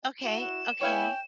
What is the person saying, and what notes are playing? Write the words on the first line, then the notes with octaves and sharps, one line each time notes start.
Okay, okay.
E4 F#4 E7
B3 E4 C#5 F5 G5 G#5